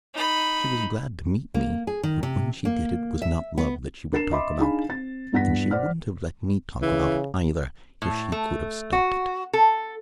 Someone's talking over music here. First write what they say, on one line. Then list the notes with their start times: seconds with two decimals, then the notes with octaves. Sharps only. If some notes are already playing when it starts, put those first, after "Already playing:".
She was glad to meet me, but when she did it was not love that she would talk about, and she wouldn't have let me talk about it either if she could have stopped it.
0.14 D#4 B5
1.54 A#3
1.87 G#4
2.03 D#3
2.23 C3
2.65 A#3
3.22 E5
3.58 B3
4.12 D4 A#4 A6 C7 E7
4.32 D#5 E5 B5 C6 D6
4.59 D4 D#4 G#4 F5 G#5 B5
4.89 C4 A6
5.32 E2 G2 F#5 A#6 B6
5.71 C5 D5 F#5 F6
6.82 C#3 E3
8.02 A2
8.32 A3
8.92 F#4
9.53 A4